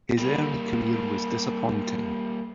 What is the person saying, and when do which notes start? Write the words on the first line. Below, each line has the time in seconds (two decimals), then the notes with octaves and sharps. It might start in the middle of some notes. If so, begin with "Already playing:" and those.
His early career was disappointing.
0.18 G3 A#3